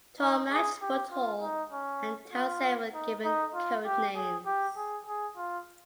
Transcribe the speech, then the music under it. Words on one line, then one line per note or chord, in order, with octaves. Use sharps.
Tallmadge, Woodhull, and Townsend were given code names.
D#4
G#4
G4
F4
D#4
C#4
F4
D#4
D#4
F4
G4
G#4
G4
G#4
G#4
F4